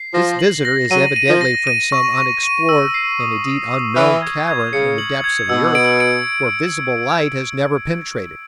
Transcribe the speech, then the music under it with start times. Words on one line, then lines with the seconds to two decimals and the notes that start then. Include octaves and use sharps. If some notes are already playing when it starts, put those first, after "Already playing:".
This visitor is evidently from some unexplored and, indeed, unknown cavern in the depths of the earth where visible light has never penetrated.
Already playing: C7
0.14 F3 A#6
0.39 F#7
0.65 A#6
0.90 F#3 D#7
1.16 D#7
1.29 F3
1.41 A#6
1.67 D#7
1.92 C#6
2.18 C#6
2.43 D#7
2.69 E6
2.94 C7
3.20 D#6
3.45 D#6
3.71 D#6
3.96 E3 F6
4.22 G#6
4.48 G#6
4.73 C#3 C#7
4.98 F#7
5.24 G#6
5.49 B2 E6
5.75 D7
6.00 D7